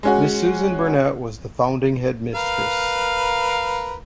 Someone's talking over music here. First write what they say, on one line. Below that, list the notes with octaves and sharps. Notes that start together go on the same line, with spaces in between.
Miss Susan Burnett was the founding headmistress.
G#3 C#4 F#4
A#4 B4 F5